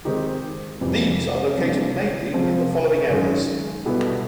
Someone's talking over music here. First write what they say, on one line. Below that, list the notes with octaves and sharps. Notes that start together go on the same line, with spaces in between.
These are located mainly in the following areas.
D#3 G#3 C4 D#4 G4
F2 C3 E3 G3
C3 E3 G3 A#3 D4
C3 F3 G#3 C4
F#2 D#3 G#3 C#4
B2 G3 B3 E4 A4